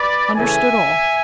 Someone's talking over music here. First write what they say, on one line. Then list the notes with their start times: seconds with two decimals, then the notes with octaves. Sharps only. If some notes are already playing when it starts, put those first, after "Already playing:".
Understood all.
Already playing: B4 D5
0.37 C#3 E3 A3 C#4 E5 G#5